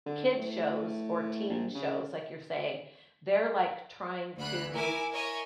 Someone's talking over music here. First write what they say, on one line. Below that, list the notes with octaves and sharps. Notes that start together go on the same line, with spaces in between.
kids shows or teen shows, like you're saying, they're, like, trying to
D3
A2
A#1
C#3
D2 B5 F#6
E4 A#4 G#5 D6
A#4 C#5 D#5 E5 G#5